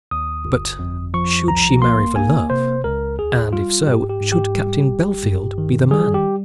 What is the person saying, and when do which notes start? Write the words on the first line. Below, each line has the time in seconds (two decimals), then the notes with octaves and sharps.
But should she marry for love; and if so, should Captain Bellfield be the man?
0.11 D#2 D#6
0.45 G1
0.79 F2
1.14 F3 C#6
1.48 C2 A#5
1.82 A#3 C6
2.16 A#3 G#5
2.50 C3 C5
2.84 C#2 A#4
3.19 D#2 G#4
3.53 G3 F4
3.87 G#2 G4
4.09 G4
4.21 G#2
4.32 G4
4.55 G3
4.89 G#1
5.23 G2
5.58 D#3
5.91 G3 G#4
6.14 G4